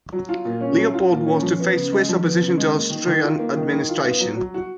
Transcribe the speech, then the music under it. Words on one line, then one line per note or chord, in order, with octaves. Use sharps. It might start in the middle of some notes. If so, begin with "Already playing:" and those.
Leopold was to face Swiss opposition to Austrian administration.
F#3
F4
A#2
C#4
F#3
F4
A#2
C#4
F3
B3
C#3
G#3
F3
B3
C#3
G#3
A#3
D#3
D#3
F4
A#3
D#3
D#3
F4
B3
F#3
F#3
F#4